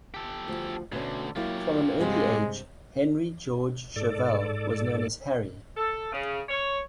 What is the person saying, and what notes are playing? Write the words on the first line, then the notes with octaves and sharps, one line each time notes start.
From an early age Henry George Chauvel was known as "Harry".
G4 A4
D2 F3
D2 B2 D3 C#4
F#3 A#3 E4 F4 G4
G2 C3 G#3
G#2 A4 D5
A4
C#3
C#5